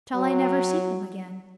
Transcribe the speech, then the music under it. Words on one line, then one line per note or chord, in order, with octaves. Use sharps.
Shall I never see them again?'
F#3